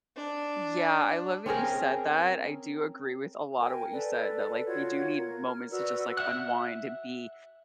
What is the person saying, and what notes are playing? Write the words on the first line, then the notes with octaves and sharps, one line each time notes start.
Yeah, I love that you said that, I do agree with a lot of what you said that, like, we do need moments to just, like, unwind and be,
D4
C4 C#4 G#4 A#4
A#4 G5 G#5
A4 B4 D5
F4 F#4 C#5 G#6
A#4
F6
F#4 B4 D5 E6
E5 F#5 F#6